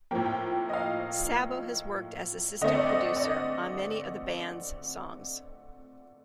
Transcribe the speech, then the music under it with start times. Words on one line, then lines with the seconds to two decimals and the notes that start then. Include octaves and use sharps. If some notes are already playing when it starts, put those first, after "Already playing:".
Sabo has worked as assistant producer on many of the band's songs.
0.11 A2 F3 A#3 G5
0.26 G5
0.69 D#5
0.73 F5
2.61 D3 A3 C4 D#5
2.75 D5
2.89 D#5
3.17 D5
3.25 D#5